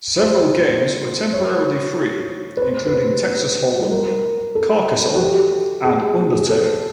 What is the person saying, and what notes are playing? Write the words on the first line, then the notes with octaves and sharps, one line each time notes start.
Several games were temporarily free, including "Texas Hold 'em", "Carcassonne", and "Undertow".
C5
C5
C5
C5
C#5
B4
C5
B4
C5
B4
A#4
A4
F#4
G4
G#4
G#4
A4